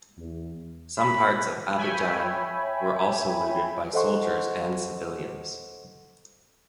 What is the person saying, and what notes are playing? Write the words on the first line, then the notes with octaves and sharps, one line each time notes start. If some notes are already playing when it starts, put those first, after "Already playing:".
Some parts of Abidjan were also looted by soldiers and civilians.
E2
B5
C#5 E5 G5 G#5 B5
A4 C5 D#5 F#5 C6 C#6